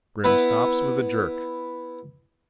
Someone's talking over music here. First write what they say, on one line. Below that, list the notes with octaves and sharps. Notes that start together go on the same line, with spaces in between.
Grim stops with a jerk.
B3 E4 B4